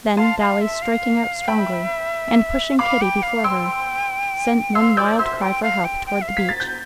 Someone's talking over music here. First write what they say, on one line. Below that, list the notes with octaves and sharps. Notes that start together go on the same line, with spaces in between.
Then Dolly, striking out strongly, and pushing Kitty before her, sent one wild cry for help toward the beach.
F5 A5 C6
F5
E5
F5
E5 G5 B5
F5 B5 D6
G5
F5
G5 C6 E6
F5 C6 E6
D5 E6 G6
E5 C6 E6
G5
F5
G5
G5
E5
F5
B6
A6
G6